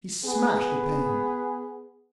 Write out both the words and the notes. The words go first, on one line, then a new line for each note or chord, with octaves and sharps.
He smashed a pane.
B3 G#4